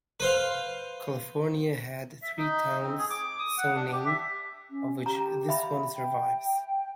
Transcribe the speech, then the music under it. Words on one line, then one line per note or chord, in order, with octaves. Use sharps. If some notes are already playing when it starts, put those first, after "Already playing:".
California had three towns so named of which this one survives.
B4 C5 F5
E5
D#4
C4
G#4
D6
D#6
F#5
D4
G4
E5
C#4
G4 A#5
E5 B5
G5